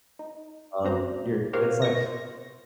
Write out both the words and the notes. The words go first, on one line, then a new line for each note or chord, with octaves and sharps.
Um, your it's, like,
D#4
C4 C#4 F#4 C5 A#5
G4 A#4 C5 C#5 F5 F#5
C#6 A#6
C5